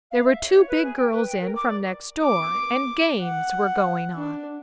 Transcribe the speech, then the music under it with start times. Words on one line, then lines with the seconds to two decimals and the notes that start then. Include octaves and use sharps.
There were two big girls in from next door and games were going on.
0.11 F5
0.25 E5
0.44 C#5
0.68 B4
0.82 G#4
0.96 G5
1.12 B4
1.26 G5
1.40 A#4
1.54 D6
1.67 D5
2.22 D6
3.22 F#5
4.17 D4